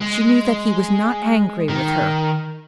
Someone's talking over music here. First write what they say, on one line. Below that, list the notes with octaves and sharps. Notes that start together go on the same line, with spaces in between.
She knew that he was not angry with her.
G#3
D#3